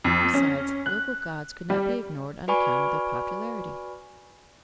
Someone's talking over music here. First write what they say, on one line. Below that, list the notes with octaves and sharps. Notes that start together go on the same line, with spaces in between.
Besides, local gods could not be ignored on account of their popularity.
F2
C#4
F#6
G3
F#4 B4 D5 G#5 B5 C#6